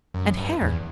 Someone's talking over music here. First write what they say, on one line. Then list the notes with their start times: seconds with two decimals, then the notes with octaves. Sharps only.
And hair.
0.14 F#2
0.37 G2
0.61 E2